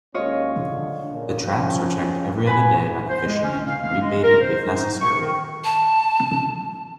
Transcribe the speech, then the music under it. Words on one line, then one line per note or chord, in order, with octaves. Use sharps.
The traps are checked every other day by the fisherman and rebaited if necessary.
D#2 G#3 C#4 F4 C#5 D#5
D3
A#2 C#3
F3 C#4
B4 G#5 B5
C5
G#3
C#4
F5
F5
G#3
A#4
C5
D#4
C#6
D#3
A5